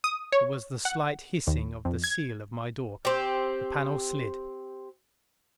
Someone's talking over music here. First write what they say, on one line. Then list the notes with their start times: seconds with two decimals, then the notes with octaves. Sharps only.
There was the slight hissing of the seal of my door. The panel slid.
0.04 D#6
0.32 C#5
0.85 F#5
1.47 D#2
1.85 F2
2.04 G#6
3.05 C4 G4